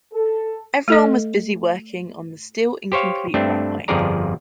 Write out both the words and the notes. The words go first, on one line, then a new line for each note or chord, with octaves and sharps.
Everyone was busy working on the still-incomplete runway.
A4
A3 A4 D#5
G4 C5 C#5 F5
G2 A3 C4 D4
G1 F2 F3 G#4 D5 A#5